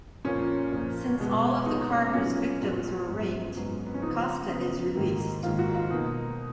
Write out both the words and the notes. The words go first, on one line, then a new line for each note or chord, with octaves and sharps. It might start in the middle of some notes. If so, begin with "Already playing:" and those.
Since all of the Carver's victims were raped, Costa is released.
A#2 F3 A#3 C#4
A#2 F3 A#3
B2 G#3 B3
B2 G#3 B3 D#4
D#4
C#4
B3
A#2 F#3 B3 C#4
A#2 F#3 B3
G#2 F#3 B3
G#2 F#3 B3
B3
C#4
C#3 F3 B3 D#4
C#3 F3 B3
G#2 D#3 A#3
G#2 D#3 A#3 F4
F#4
F4
B2 A#3 D#4